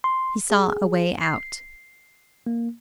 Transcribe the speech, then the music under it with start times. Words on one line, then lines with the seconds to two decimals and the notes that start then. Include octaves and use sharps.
He saw a way out.
0.04 C6
0.51 G#4
1.21 C7
2.47 A#3